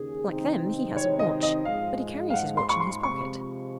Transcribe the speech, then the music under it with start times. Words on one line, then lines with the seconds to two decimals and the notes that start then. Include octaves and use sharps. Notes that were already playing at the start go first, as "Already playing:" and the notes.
Like them, he has a watch, but he carries his watch in his pocket.
Already playing: D#2 C#3 G#4
0.27 C3 D#3 G#3 C4 D#4
0.97 C#5
1.19 D#5
1.43 D#5
1.65 G#2 F3 G#3 F5
2.30 F5
2.34 F#5
2.57 C6
2.69 C#6
2.80 C6
3.03 C3 F3 G#3 C#6